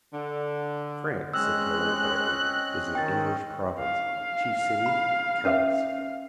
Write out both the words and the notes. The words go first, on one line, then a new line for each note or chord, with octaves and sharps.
"France," said Toline, quietly, "is an English province; chief city, Calais."
D3
G#3 C4 C#4 D#5 E6 F#6
D#3 G5 A6
F5
B5
C#4 B4 E5